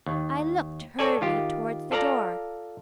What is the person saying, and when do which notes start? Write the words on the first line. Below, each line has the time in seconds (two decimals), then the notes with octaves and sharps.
I looked hurriedly towards the door.
0.06 D#2
0.99 A4 C#5 D5 G#5
1.21 D#3 F4 G4
1.91 F4 A4 D5 F5 A#5